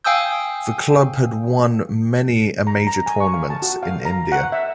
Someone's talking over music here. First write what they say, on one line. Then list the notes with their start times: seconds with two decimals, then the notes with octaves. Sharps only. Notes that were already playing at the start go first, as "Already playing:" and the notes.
The club had won many a major tournaments in India.
0.04 F5 G5 G#5 D#6 E6 G6
2.67 A#5
2.87 A#5
3.06 G#5
3.20 C#6
3.34 F5
3.50 A5
3.62 F#4
3.83 F5
4.05 A#5
4.32 F#5
4.52 E5